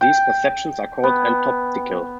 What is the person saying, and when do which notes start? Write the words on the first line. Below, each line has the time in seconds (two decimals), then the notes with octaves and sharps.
These perceptions are called "entoptical".
0.01 G5
1.04 B3